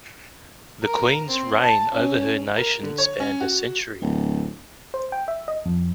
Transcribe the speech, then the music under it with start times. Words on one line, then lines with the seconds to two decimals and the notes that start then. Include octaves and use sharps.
The queen’s reign over her nation spanned a century.
0.83 A#4
1.29 C4
1.60 A5
1.92 C#4
2.57 A#4
2.83 D3
2.98 C#5
3.20 C#4
3.40 F#4
4.02 D1
4.94 C5
5.12 G5
5.28 E5
5.48 D#5
5.66 F2